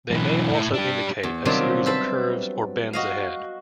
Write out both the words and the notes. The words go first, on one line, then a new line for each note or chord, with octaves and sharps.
They may also indicate a series of curves or bends ahead.
B1 E3
A2
D4 G4
E2
C3 D#3 F#3 G3 D4 F4
B4 C5 E5 A5 B5
F#4 D#5 F5